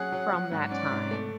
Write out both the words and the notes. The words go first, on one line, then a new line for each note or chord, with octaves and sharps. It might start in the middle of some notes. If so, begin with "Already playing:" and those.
From that time,
Already playing: F#3 C#4 G#4 F#5
F#3
F#3
G#2
C#4 D5
G#2
A3